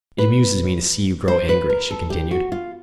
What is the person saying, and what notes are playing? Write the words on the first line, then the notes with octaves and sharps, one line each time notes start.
"It amuses me to see you grow angry," she continued.
B4
C5
B4
A#4
A4
G4
F#4
F4